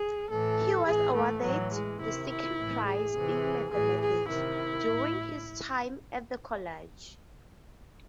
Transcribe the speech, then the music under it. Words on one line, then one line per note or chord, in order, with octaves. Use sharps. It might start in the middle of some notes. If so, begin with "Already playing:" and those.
He was awarded the second prize in mathematics during his time at the college.
Already playing: G#4
A2 E3 A4
A2 E3 G#4
A3
A2 E3 F#3
G#3
C3 D#3 E4
E4
A2 E3
G#4
C3 E3
A2 E3 G#4
G#4
C3 D#3 E4
A2